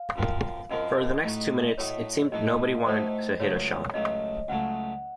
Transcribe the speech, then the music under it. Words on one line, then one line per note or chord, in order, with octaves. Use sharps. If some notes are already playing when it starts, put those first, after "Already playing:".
For the next two minutes, it seemed nobody wanted to hit a shot.
Already playing: F5
F#2 F3 C4 F#4 A#4
F#2 F3 C4 F#4 A#4 D#5
A2 A3 D#4 F#4
A2 A3 D#4 F#4 C#5
A2 A3 D#4 F#4 D#5
A2 A3 D#4 F#4 C5
C#2 C#3 F#3 A3 C#5
C#2 C#3 F#3 A3 D#5
C#2 C#3 F#3 A3 F#5